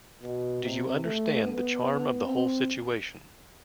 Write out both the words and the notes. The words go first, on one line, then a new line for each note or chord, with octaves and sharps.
Do you understand the charm of the whole situation?
B2
C3
A3
B3
B3
C4